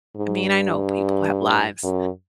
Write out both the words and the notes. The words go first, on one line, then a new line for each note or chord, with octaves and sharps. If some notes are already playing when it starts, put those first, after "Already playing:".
I mean, I know people have lives,
G#2
G2
F#2